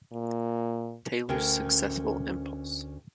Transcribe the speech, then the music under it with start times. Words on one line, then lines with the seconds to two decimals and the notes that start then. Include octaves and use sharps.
Taylor's successful Impulse!
0.12 A#2
1.29 D2 C#4 A#4 G5